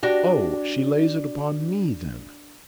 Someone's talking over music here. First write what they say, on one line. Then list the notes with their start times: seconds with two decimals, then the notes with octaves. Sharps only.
'Oh!--She lays it upon me, then?'
0.03 D4 F#4 G4